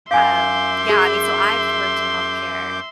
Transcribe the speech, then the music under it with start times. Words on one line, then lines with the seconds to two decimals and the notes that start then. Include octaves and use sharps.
Um, yeah, I mean, so I've worked in health care
0.11 F#2 E5 F5 G#5 C6 D6 G6
0.89 G#4